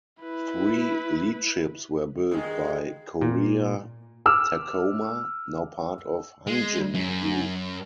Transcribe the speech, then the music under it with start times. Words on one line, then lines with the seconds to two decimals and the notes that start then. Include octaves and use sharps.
Three lead ships were built by Korea Tacoma, now part of Hanjin Group.
0.22 E4 B4
2.31 G2 D#3 G#3
3.21 A#2
4.26 D6 E6 F6
6.47 G#3
6.94 F#2